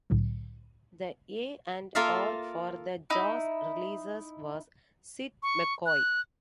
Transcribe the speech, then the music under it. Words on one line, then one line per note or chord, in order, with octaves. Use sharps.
The A and R for the jazz releases was Sid McCoy.
C2 A2 D3 F#3
A#3 F4 A4 A#4 E5 F5
D#4 E4
C#6
F#6